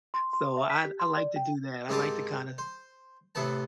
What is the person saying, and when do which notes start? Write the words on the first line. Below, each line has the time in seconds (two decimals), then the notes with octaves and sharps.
So, I d I like to do that, I like to kind of
0.14 C6
0.33 C6
0.57 E5
0.70 B6
0.84 G4
1.00 C6
1.17 D5
1.36 G5
1.89 G#2 A#3 C4 G4 A5 D#6
2.58 C5
3.35 A2 C3 B3 B4 A5